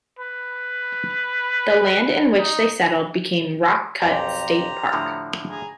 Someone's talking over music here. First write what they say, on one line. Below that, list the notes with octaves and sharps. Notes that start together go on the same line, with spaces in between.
The land in which they settled became Rock Cut State Park.
B4
D#4
B1 F2 G4 C5 A#5
A2 D3 F3
G#4 A#5